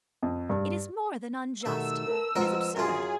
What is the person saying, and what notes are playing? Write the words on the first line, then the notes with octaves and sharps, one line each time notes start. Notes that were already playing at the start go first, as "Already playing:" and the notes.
It is more than unjust--it is absurd!
F2
G2
B2 D#3 G3 A3 E6
A#4 B4 A5
F2 G#3 A#4 B4 D#5 F#5
F#2 F4 G#4